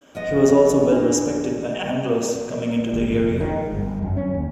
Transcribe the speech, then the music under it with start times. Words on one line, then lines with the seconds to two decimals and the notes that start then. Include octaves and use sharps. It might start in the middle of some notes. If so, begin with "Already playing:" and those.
He was also well respected by Anglos coming into the area.
0.15 F3 B3 D#5
0.92 F2 A#3 D4
2.94 G#1
3.20 F1
3.41 D#3
3.57 G#2
3.73 G1
4.02 F#2
4.17 C#4
4.34 D#2